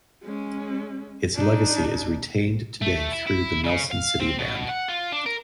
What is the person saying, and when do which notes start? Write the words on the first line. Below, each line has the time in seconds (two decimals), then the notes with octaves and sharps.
Its legacy is retained today through the Nelson City Band.
0.23 G#3 C#4
1.35 D4 D#4
2.82 A3
3.13 E4
3.27 E4
3.64 C#3
3.91 F5
4.20 C4
4.39 B2
4.69 F#5
4.88 F4
5.12 D4
5.26 A#4